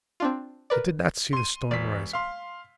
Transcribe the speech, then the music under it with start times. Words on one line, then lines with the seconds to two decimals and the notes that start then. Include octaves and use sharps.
They did not see the storm rising.
0.20 C4 D4 F4
0.70 A#4 B4 D5
1.33 C6 D#7
1.71 E1 D5 B6
2.13 F5 C6